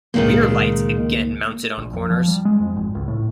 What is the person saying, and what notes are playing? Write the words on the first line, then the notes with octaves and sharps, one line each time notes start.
Rear lights again mounted on corners.
C#2 A#2 D#3 G#3 A#3
A#1
F2
F3
G3
G#3
F2
G#1
C#2
A2